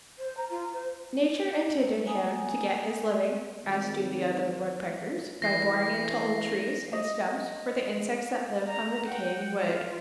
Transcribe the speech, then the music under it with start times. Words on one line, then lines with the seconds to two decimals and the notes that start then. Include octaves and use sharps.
Nature intended him to get his living, as do the other woodpeckers, by boring into old trees and stumps for the insects that live on the decaying wood.
0.18 C5
0.37 A#5
0.50 F4
0.73 C5
2.06 A#3 G#5 D#6
3.64 G#1
5.42 E3 A#6 C7
6.93 D#5
8.67 A#5
9.06 F#5 G5
9.58 F4